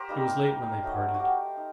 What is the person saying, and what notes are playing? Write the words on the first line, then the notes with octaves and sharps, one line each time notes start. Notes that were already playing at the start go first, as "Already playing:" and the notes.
It was late when they parted.
Already playing: G4 A#4 C5
G3 A#3 D#4
A#4
F#3 A3 D#4
F#4
G4
D#4